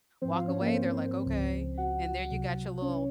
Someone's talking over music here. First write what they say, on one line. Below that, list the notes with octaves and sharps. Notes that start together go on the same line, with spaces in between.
Walk away, they're like, "Okay," and there you got your little
G#2 F3 C4 C5
F4 F5
C#4 C#5
A#3 A#4
C4 C5
C#2 C#3 F3
F#4 F#5
C2 C3 F#3
C#4 C#5